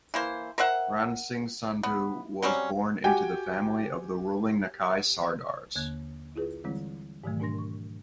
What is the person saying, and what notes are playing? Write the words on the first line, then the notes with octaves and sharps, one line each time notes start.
Ran Singh Sandhu was born into the family of the ruling Nakai Sardars.
E3 A#3 C5
A#4 C5 E5 F#5
B3
F#3 G3 C4 C#4
F#4 G4 G5 G#5
D#2 D3 A#3 F#6 G#6
E4 F4 G#4 B4
D3 E3 G3 G#3 C4 E4
G#2 B2 D#3 E3 F#3 A3
G#2 B2 D4 A#4 C6 A#6
C#6